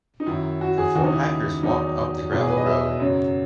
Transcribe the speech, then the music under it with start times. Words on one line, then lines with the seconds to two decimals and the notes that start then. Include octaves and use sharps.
The four hikers walked up the gravel road.
0.20 D#4
0.26 F#2 D#3 F#3 E4
0.61 F#4
0.78 G#4
0.95 D#2 C#3 E3 F#4
1.04 D#4
1.13 E4
1.63 E2 D#3 F#3 D#4
2.32 E2 B2 F#3 E4
2.40 G#4
2.49 B4
2.57 D#5
2.66 E5
3.00 F#2 C#3 F#3